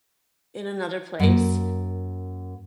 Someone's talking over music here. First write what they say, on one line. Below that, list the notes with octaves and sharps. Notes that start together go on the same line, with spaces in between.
in another place.
F#2 A#3